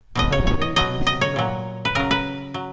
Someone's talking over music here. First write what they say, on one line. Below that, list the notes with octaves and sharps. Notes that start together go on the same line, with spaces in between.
Her fate is unknown.
B2 F#3 D#5
C#5
C#5
D#5
B2 F#3 D#5
D#5
C#5
A#2 F#3
B4
C#3 F#3 A#4
B4
F#3